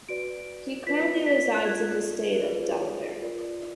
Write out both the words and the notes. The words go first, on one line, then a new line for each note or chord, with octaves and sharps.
He currently resides in the state of Delaware.
F#4 B4 D5 D7
F4 B4 D5 B6
B6
F#6
F4 A#4 D5 G#6
F4 G#4 B4 D5
F4 A#4 D5